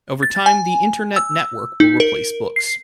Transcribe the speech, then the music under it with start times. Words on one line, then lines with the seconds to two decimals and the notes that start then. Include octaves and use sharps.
Over time the Internet network will replace books.
0.23 A6
0.46 G#5
1.16 E6
1.80 D#4
2.00 A#4
2.56 C7